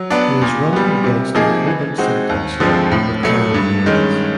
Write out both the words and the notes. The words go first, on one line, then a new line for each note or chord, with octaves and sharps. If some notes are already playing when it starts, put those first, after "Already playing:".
He is running against incumbent city councilor Ricardo Amores.
Already playing: F#3
B3 D4
A#2
G3 B3
C3
F3 A#3 D#4 G#4
E3
G#3 C4 D#4 F#4
D#2
D3 F3 G#3 C4
A2
F#3 A3
G2
D#3 G#3 C#4